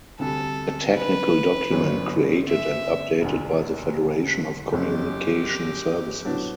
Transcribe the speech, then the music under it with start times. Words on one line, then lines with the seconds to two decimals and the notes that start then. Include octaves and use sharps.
A technical document created and updated by the Federation of Communication Services.
0.19 D2 C3 G3 A4
0.96 B4
1.71 G1 F#2 F#3
2.47 E5
3.22 E1 D2 D3
4.73 F#1 F#2 F#3 G4
6.25 A2 F#3 B3 D4